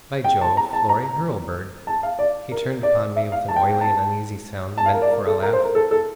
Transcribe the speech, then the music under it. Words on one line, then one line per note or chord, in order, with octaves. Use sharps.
"By Jove: Florry Hurlbird." He turned upon me with an oily and uneasy sound meant for a laugh.
G5
A5
A#5
A5
A#5
A5
F5
D5
A#4
D5
E5
F5
A5
G5
G5
A5
A5
F5
A#4
D5
A#4
A4
A#4
C5
A#4
A4
A4